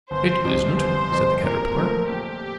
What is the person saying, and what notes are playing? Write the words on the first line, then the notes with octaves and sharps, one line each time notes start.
'It isn't,' said the Caterpillar.
G1 C5
F2 C3 G3
G1 C5
F2 C3 G3
A#2 A#4
F3 A3 C4
A#2 G4